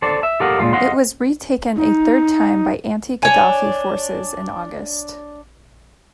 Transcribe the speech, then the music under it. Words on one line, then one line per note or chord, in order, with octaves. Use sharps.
It was retaken a third time by anti-Gaddafi forces in August.
A4 C5 D5
E5
G4 A4 A#4 D#5 F5 F#5
A#2 C#3 G#3 F4
D#5 F5 F#5 C6
D#4
D4 C#5 G#5